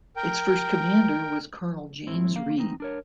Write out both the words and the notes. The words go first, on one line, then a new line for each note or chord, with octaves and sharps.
Its first commander was Colonel James Reed.
A#4 G5
G#2 C4 E4
A#3 F5
E2 C4 D#4
D4 A#4 C#5